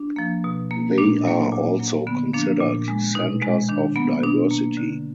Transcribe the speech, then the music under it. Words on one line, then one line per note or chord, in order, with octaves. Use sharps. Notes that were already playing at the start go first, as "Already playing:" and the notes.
They are also considered centers of diversity.
Already playing: D4
F3 A#3
B2
A#3
A#2 D4
F#3 A#3
A#2
F#3 A#3
D3 B3
F3 A#3 D4
A#2
G#3
B2 D#4
G#3
D#3 D4
F#3 A#3 B3
B2 D4
A#3
D3